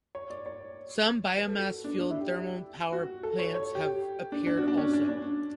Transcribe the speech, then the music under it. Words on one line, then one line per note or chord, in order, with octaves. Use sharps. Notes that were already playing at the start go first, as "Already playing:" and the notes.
Some biomass-fueled thermal power plants have appeared also.
C#5
D5
C#5
B4
A4
F#4
D4
D4
E4
G4
F#4
A4
C#5
C#5
G4
D4
D4
F#4
D4
C#4
D4
D4